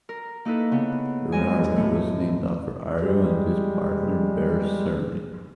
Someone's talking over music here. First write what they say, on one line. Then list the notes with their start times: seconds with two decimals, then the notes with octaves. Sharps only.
Berario was named after Ario and his partner, Ber Sarnie.
0.09 A#4
0.45 A#3 D#4 E4 A4 B4
0.72 C#3 B3
1.32 F#2 G#3 D#5 G#5
1.76 A2 A3
3.00 G3 G#3